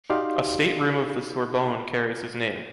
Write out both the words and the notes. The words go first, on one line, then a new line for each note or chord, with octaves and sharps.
A state room of the Sorbonne carries his name.
D#4 F#4 G4 D5 F5 C6